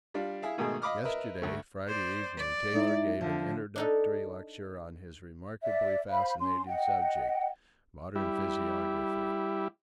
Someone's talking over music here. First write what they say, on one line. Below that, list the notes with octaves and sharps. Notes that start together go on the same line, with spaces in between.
Yesterday, Friday evening, Taylor gave an introductory lecture on his remarkably fascinating subject--modern physiography.
G3 D4 F4
E4 G#4 E5 F5
G#2 B2 D#3 G#3 A3 G#4
D#5 F5 B5 D6 D#6 F6
A#4 B4 D#5 E5
D2 A3
C5 D5
D5
G#3 D#4 E4
D3 F3
D4 D#4 A4
D5 E5
C5 F5 B5
C#4 C6
D#5 F#5 G5
G3 E4